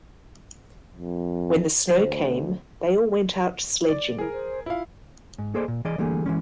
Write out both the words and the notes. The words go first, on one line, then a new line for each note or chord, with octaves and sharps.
When the snow came, they all went out sledging.
F2
D2 C5
D5
E4 G#4 A#4
C5
E4 F4 F5
G#2
A#3 G#4 A4 C5 D5 D#5
A#2
E3 G#4 D5 D#5
D3 E3 G3 A3 A#3 G#4
E3 G#3 C#4